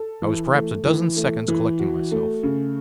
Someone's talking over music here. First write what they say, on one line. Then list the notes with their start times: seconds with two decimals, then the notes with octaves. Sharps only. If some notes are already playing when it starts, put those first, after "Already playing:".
I was perhaps a dozen seconds collecting myself.
Already playing: A4
0.22 E3
0.54 A3
0.85 E3
1.17 A3
1.48 E3
1.80 F#4
2.12 A3
2.43 C#3